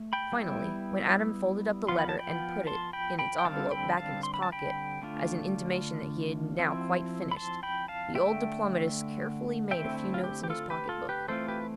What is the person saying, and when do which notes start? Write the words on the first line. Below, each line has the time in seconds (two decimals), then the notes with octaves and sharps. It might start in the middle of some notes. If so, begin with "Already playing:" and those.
Finally, when Adam folded up the letter and put it, in its envelope, back in his pocket, as an intimation that he had now quite finished, the old diplomatist carefully made a few notes in his pocket-book.
Already playing: A3
0.13 G5 B5
0.32 G3 B3 E4
1.88 F3 B3 F4 C6
1.99 B5
2.09 A5
2.19 G5 B5
2.67 A5 C6
2.93 G5 B5
3.19 G5 B5
3.38 G5
3.45 D3 G3 C4 F5 A5
3.71 G5 B5
3.97 F5 A5
4.23 C6
4.34 B5
4.42 A5
4.52 G5 B5
5.02 D3 A3 D4 F4
6.59 F3 C4 E4
7.31 B5
7.37 A5 C6
7.63 G5 B5
7.88 F5 A5
8.15 D3 A3 C4 E5 G5
9.71 D3 A3 C4 E4 E5 G5
10.14 F4
10.24 G4
10.44 G4
10.50 F4 A4
10.70 G4 B4
10.89 F4 A4
11.09 G4 B4
11.28 E3 A3 C4 F4 A4 C5
11.48 G4 B4